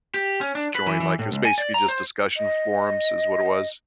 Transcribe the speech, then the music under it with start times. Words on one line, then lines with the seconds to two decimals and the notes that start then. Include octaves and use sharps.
join, like, it was basically just discussion forums, is what it was.
0.14 G4
0.41 C#4
0.55 D4
0.75 B4
0.87 E3
1.00 E3
1.19 A2
1.32 C#2
1.45 G#5
1.58 D5
1.74 A#5
1.88 C5
2.37 D#5